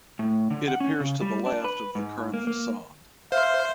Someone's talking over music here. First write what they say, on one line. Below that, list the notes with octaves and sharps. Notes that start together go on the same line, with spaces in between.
It appears to the left of the current facade.
A2
D3
F#5
C#4
C#3
G3
D4
B4
G#2
A#3
A#3
C5 E5 F5